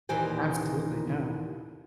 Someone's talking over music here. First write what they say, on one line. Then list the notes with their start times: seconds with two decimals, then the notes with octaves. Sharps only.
Absolutely, yeah.
0.09 D#2 A#2 E3 G4 C5 G#5